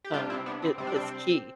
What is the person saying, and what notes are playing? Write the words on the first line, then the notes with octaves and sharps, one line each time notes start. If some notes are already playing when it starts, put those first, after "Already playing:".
um, i is key.
G4
C3 G3 D4 F4
C4 E4
B3 D4
C4
C3 G3 C4
D4
C4